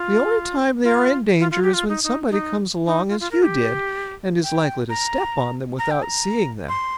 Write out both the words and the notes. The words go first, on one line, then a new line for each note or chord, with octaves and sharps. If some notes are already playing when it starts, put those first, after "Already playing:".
The only time they are in danger is when somebody comes along, as you did, and is likely to step on them without seeing them.
Already playing: F4
F4
F4
F4
G4
F4
D#4
D#4
D#4
D#4
F4
F4
A#4
G4
G5
A#5
A#5
G5
A#5
C6